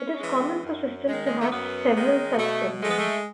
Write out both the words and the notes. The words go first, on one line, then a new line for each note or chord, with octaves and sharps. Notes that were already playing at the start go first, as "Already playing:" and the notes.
It is common for systems to have several such segments.
Already playing: C#4
E3 G#3
F#2
D#3 G#3
G#3
A3
F#2 B3
D#3 G#3
B3
B2 A3
G#3 A3
B3
A3